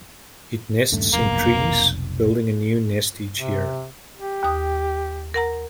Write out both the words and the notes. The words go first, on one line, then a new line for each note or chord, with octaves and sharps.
It nests in trees, building a new nest each year.
D#1 G2 A3
F1 B1 A#3
C3
G4
D#2 D#6
A#4 F#5 A#5